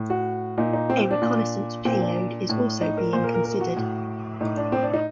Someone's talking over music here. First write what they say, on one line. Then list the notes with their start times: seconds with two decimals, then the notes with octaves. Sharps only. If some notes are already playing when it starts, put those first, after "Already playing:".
A reconnaissance payload is also being considered.
Already playing: A2
0.10 F#4
0.58 A#2 D#4
0.73 D#4
0.90 C4
1.00 C4
1.11 D4
1.22 A#2
1.85 A#2 C4
2.01 D4
2.49 A2
2.81 D#4
2.97 A#4
3.13 A#2 C5
3.24 A#4
3.34 A#4
3.45 A#4
3.61 F#4
3.76 A2
4.41 A2 D#4
4.57 D4
4.72 C4
4.83 D4
4.94 D#4